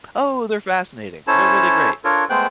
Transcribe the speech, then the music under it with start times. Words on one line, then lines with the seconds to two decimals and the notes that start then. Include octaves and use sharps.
Oh, they're fascinating, they're really great.
1.27 C#4 E4 A4 C5 C#5 A5
2.04 D4 F4 A4 A#4 C#5
2.30 G#3 A3 B3 C5 G5 F#6